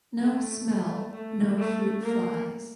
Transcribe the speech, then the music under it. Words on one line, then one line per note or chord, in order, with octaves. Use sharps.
No smell, no fruit flies!
A3
A3
A3
A3
A#3